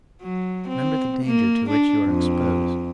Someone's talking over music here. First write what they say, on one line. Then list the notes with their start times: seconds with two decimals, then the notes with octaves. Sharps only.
Remember the danger to which you are exposed.
0.22 F#3
0.68 C4
1.25 A#3
1.69 D4
2.06 F2